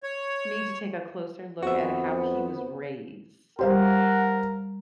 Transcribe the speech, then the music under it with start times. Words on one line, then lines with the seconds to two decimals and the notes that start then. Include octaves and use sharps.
need to take a closer look at how he was raised.
0.03 C#5
1.63 F2 B3 F#4 B4 C5 E5
3.59 G3 G4 A#4 C5 F5 F#5 C6